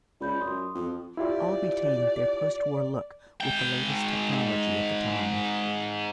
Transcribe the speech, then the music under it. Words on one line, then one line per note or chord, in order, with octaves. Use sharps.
All retained their postwar look with the latest technology at the time.
C#2 D5 B5 G6
F#2 C6 D#6
F2
E4 F4 G4 D5
G#2 G5